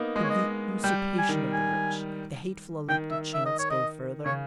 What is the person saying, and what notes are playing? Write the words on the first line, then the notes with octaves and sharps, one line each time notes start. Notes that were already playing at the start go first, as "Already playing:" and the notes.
Could the usurpation of the rich, the hateful elect of chance, go further?
Already playing: A#3 B3 D#4
G#3 D#5
C#5
D#5
G3 G5
G#5
D#3
G#5
D#3 G5
E5
E5
D#5
C#5
D#5
C#3 C#5